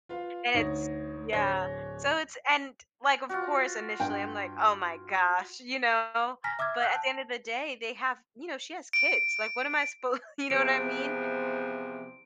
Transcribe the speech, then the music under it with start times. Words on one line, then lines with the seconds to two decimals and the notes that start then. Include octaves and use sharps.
and it's yeah, so it's and like, of course, initially I'm like, "Oh my gosh," you know, but at the end of the day, they have you know, she has kids. Like, what am I suppo you know what I mean?
0.09 F4 B4 F5
0.54 D2 D#4 C#5 A#6
1.32 D1 D4 C#5 F#6 A#6 G7
3.29 F4 F#4
4.00 G2 G5
6.44 G#5 A#5 F6 A#6 B6
6.59 E5 D6 E6 F6 G#6
6.81 F#5 E6 F#6 G6
6.95 A5
8.93 D7
10.50 E2 C3 F3 D7